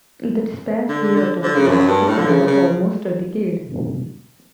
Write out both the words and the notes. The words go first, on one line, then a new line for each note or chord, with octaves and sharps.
The Dispatch hiatus lasted almost a decade.
D3
D3
D3
D3
C#3
F#2
G2
A2
D3
C#3
C#3